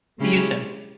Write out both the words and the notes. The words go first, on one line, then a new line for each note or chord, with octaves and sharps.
You too.
C#3 G#3 C#4 E4 G4